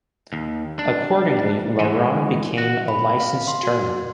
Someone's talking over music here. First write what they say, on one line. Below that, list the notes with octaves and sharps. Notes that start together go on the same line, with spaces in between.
Accordingly, Laron became a licensed turner.
D#2
D4
E3 G#3
F#4
B5
F5
C6
F#4